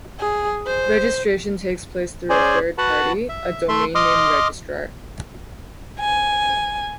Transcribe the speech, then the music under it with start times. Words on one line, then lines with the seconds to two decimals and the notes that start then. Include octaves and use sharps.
Registration takes place through a third party, a domain name registrar.
0.20 G#4
0.67 C5
2.30 C#4 G#4 C5 D5 G#5
2.78 F#4 B4 F#5 A5 B5
3.29 E5
3.68 A3 E5 C6
3.95 D#5 C6 D6 D#6 F6
6.00 G#5